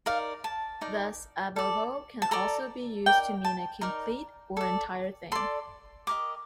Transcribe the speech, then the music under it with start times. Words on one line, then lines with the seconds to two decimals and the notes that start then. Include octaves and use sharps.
Thus "ab ovo" can also be used to mean a complete or entire thing.
0.06 D#4 A#4 D5 F5
0.44 A5
0.81 D#4 A#4 D5
1.56 A4 D5
2.22 A5
2.31 A4 D5 A#5
3.06 D#4 A#4 D5 G5
3.45 A5
3.81 D#4 A#4 D5 A#5
4.57 A4 D5
5.32 A4 D5 C6
6.07 G4 A#4 D#5 D6